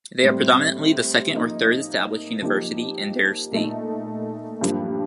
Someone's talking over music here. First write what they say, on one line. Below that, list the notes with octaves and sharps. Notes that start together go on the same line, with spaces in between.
They are predominantly the second or third established university in their state.
A2 G3 C4
F3 A#3 D#4
F3 A#3 D#4 G4
A#2 A3 D#4
G2 F3 A#3